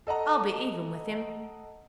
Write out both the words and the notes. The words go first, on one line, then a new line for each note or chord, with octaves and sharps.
I'll be even with him.
A4 D#5 F#5 A#5